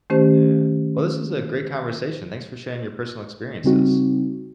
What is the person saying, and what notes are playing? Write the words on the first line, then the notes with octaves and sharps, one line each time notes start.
Yeah. Well this is a great conversation, thanks for sharing your personal experiences.
D#3 A3 C#4 G4 C5
C#3 G3 C4 D#4 F#4